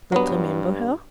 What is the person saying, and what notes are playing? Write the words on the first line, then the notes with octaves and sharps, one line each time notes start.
Not remember her?
G2 F#3 B3